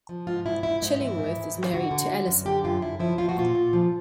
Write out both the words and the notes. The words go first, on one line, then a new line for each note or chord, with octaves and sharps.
Chillingworth is married to Alison.
F3
G#2 F4
G#2 E4
G#2 E4
G#2 D#4
E3 E4
G#2
G#2
E3
D3 F#4
D3
D3
F#2
D3 G4
F#2 F4
F#2 E4
F3 E4
F3 F4
F#4
A#2 F4
A#2
F3